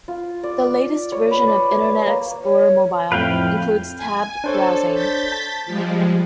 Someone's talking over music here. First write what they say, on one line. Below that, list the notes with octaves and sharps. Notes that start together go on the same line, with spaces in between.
The latest version of Internet Explorer Mobile includes tabbed browsing.
F4
D5
C#5
B4
D5
C#5
A#3
C#5
F2 A2 B4 F5 G5
G#5
D4 A4 C5 C#5
G6 A6 B6
A5
F3 G3 G#3